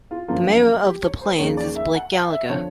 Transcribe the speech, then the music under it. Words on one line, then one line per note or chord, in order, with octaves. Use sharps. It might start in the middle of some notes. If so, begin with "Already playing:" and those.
The mayor of The Plains is Blake Gallagher.
F4
F#2 D3 F3 A#3 F4
G4
C#5
C5
D#2 C#3 F3 A#3 C#5
D5
E5
F#5
F5
E5
D3 F3 C#5